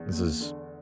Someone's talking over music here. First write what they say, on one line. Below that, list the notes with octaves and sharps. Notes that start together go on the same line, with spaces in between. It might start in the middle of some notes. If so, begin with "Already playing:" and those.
This is
Already playing: E2
E2 A#3
D3